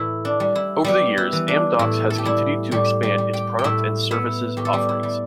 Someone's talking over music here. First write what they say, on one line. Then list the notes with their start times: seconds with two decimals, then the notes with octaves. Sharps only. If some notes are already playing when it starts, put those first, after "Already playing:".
Over the years, Amdocs has continued to expand its product and services offerings.
Already playing: A2 E3 E4
0.25 D4
0.40 G3
0.55 E4
0.84 G3 B3 G4
1.18 E4
1.33 E3
1.48 D4
1.79 A2 E4
2.10 A4
2.18 G4
2.25 G3 E4
2.71 A2 G3 G4
3.03 G3 G4
3.18 G3
3.33 G4 G5
3.59 G5
3.64 A2 E4 E5
4.11 B3 E4 E5
4.57 A2 G4
4.65 A4
4.73 G3 G4
4.89 E4
5.03 G3